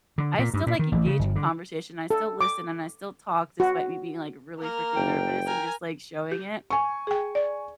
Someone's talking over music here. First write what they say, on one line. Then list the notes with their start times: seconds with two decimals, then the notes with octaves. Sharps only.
I still, like, engage in conversation, I still listen, and I still talk despite me being, like, really freaking nervous and just, like, showing it,
0.18 D3
0.39 A#2
0.54 G2
0.67 A#2
0.79 D#3
0.92 A1
1.06 C#3
1.19 G1
1.36 D3
2.11 A4
2.41 D6
3.60 F#4
4.59 A#3 A#4
4.96 F#1 G5
5.46 A#4 G#5
6.32 G4
6.70 G#5 C#6
7.07 G#4 G5
7.35 D5